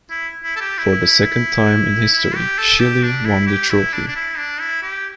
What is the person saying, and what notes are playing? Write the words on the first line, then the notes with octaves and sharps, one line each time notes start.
For the second time in history, Chile won the trophy.
E4
E4
A4
G4
E4
E4
G4
A4
G4
D4
E4
G4
E4
D4
D4
E4
D4
E4
G4